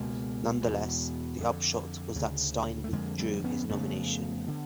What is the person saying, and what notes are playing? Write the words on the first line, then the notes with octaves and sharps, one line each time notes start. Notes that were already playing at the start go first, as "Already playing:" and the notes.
Nonetheless, the upshot was that Stein withdrew his nomination.
Already playing: C#2 B2 G#3 A#3
E2 B2
F2 D3
D2 C#3
A3
F2 D3 G#3 A#3
G3 A3
B3 C#4
F2 C#3 A3 B3
D3